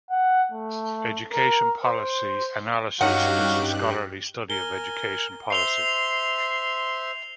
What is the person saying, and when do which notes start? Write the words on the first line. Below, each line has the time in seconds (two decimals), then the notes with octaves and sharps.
Education policy analysis is the scholarly study of education policy.
0.11 F#5
0.52 A3
1.33 A#4
1.85 C5
3.01 G2 F#3 C#4 D#4 G4 F5 F#5 F#6
4.50 A#4 G#5 G7
5.50 C5 E5 C6 C7 F7 G7